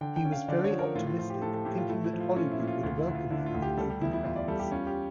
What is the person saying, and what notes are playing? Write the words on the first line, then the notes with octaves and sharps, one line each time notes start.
He was very optimistic thinking that Hollywood would welcome him with open hands.
D3 G5
G5
C#4
F5
D3 D5
C#5
F3
A#4
A2 F4
F4
F3 F4
G4
A2 A4
A4
A2 G4
F4
A3 E4
E4
F3
F4
C#4 F4
E4
A#2
F4
D2 F4
E4
D2
F4
D3 E4
F4
D2
G4
G3 A4
G4
E2 E4
E4
E2 F4
D5
G3 A4
G4
C#4 F4
G4